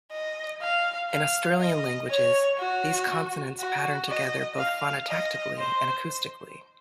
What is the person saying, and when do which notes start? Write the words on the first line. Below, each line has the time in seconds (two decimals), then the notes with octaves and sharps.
In Australian languages, these consonants pattern together both phonotactically and acoustically.
0.12 D#5
0.62 F5
1.11 F5
1.61 D#5
2.10 C#5
2.60 F#4
3.59 F#4
4.09 D#5
4.58 F5
5.08 D#5
5.58 C5